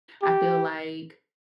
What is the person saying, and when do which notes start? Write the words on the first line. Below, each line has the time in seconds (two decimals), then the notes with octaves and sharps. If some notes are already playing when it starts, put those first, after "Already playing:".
I feel, like,
0.23 G4